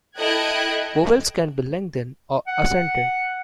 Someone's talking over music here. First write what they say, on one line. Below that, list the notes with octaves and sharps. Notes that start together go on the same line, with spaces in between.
Vowels can be lengthened or accented.
E4 A4 D#5 G5 F#6 G#6
F#5